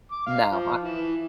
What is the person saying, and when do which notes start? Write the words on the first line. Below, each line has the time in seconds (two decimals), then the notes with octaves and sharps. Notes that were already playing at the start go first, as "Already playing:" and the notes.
No, I
0.12 D6
0.26 F5
0.51 F3
0.81 E3